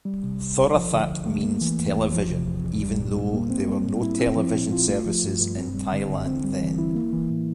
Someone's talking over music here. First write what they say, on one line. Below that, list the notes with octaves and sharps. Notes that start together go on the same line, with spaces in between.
"Thorathat" means "television" even though there were no television services in Thailand then.
G3
C3
C2
C2
F3
D3
D2
A3
A#3
E3
E2
E2
F3
C3
E2
E2
G3
A#2
C2
A#3
C4
G3
A2
E4
C4
F3
A#2
F4
A3
F3
G2
G2
C4
G3
D3
D3
C4
G3
E3
E4
A#3
E3
A2